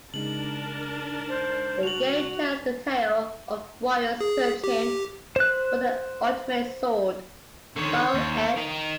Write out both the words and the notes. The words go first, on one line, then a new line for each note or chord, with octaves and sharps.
The game tells the tale of warriors searching for the ultimate sword, "Soul Edge".
C#3 G#3 D4 D#4 A#4 A5 F#7
C5
F#4 F7 F#7
G#4
G4
C5 F#6
D3 D#3 C5 C#5
D#2
D#4 A#4